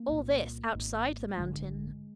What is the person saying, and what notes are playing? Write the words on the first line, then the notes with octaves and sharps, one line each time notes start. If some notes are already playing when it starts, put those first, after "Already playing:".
All this outside the mountain!
Already playing: A#3
C2 A#2
G#1 G#2
A1 G2 D3 G#3